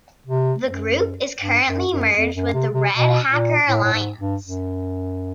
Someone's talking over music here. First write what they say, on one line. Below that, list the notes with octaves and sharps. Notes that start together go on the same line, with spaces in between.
The group is currently merged with the Red Hacker Alliance.
C3
F#2
G2
F#2
F#2
F2
F#2
C3
C3
B2
A#2
A2
A2
G#2
G2
F#2